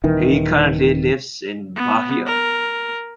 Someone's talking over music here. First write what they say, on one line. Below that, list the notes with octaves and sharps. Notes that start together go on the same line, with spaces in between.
He currently lives in Bahia.
D#1 D#3 E3
B3
A#4